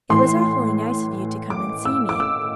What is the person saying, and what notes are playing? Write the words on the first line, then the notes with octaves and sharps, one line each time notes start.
"It was awfully nice of you to come and see me."
A2 E3 C6
D6
E6
D6
E6